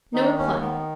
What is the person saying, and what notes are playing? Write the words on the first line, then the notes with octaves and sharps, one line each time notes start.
No reply.
D#3 D#4
D#2 C#4
D#3 B3